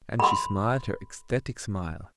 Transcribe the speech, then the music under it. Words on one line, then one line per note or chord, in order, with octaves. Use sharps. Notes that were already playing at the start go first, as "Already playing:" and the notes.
And she smiled her ecstatic smile.
B5 C6